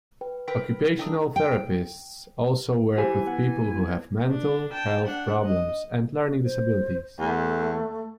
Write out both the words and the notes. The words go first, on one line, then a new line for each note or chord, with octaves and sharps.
Occupational therapists also work with people who have mental health problems and learning disabilities.
B4 G5
A#4 B4 G5 B6
A3 D4 G5 A#5 D#6
G5
E3 G4 C5 F5 G#5
B3 F#5
D4
G5 A5
D4 F#5
D#5
C5
E2 A3